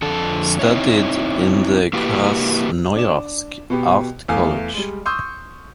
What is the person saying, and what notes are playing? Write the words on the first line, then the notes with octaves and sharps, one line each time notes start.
Studied in the Krasnoyarsk art college.
F2 D3 A4
C4 D#4 E4 C#5
A#3 E4 F#4 G4 B4
D4 E7
B2 B3 G4
E2 A3 F5 G#5
G3 G#3
C6 C#6 D#6 E6 G6